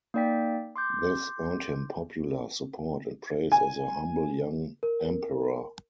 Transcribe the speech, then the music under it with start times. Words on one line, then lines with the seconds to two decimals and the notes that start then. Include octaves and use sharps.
This earned him popular support and praise as a humble young emperor.
0.14 A#3 D#4 D5 G5 B6
0.76 C6 D6 G6
3.52 G#5
4.83 A#4